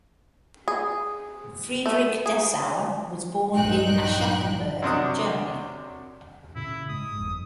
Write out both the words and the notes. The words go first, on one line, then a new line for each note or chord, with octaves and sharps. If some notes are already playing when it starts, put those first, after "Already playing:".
Friedrich Dessauer was born in Aschaffenburg, Germany.
G#4
A3
G#4
A#1 G2 F#3 D#4 G5 F#6
F#2 C3 D4 D#6
A#2 C#3 E4
G#2 D#6
G1 F2 G#2